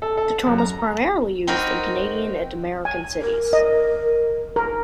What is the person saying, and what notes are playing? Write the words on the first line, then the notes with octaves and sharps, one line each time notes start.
The term is primarily used in Canadian and American cities.
A4
A4
F#2
A#5
C4 D#4 F#4 A#4 B5
G#5
A#4
D#5
A#4